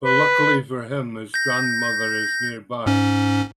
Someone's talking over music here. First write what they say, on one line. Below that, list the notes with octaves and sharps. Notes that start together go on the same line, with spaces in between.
But luckily for him his grandmother is nearby.
B4
G6 A#6
G#2 C#4